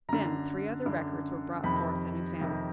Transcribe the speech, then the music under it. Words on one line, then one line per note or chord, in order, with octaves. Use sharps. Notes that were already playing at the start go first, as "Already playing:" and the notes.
Then three other records were brought forth and examined.
F#2 D3 A#5
F#2 D3
F2 C3 D#3 B5
F2 C3 D#3